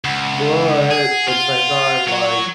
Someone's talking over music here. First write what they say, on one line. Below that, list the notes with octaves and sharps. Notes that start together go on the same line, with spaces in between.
But at the same time, like
C#2 F#5
G#4
F4
F#3 C#5